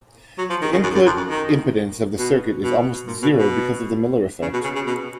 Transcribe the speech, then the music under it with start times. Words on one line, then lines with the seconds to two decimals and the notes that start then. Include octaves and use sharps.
The input impedance of the circuit is almost zero because of the Miller effect.
0.38 F#3
0.50 F3
0.62 D#3
0.72 C#3
0.83 F#2
0.95 F#2
1.06 F2
1.17 F#2
1.28 D#3
2.18 B2
2.63 B2
3.07 A#2
3.22 B2
3.38 B2
4.42 C#3
4.53 B2
4.64 C#3
4.75 C#3
4.87 B2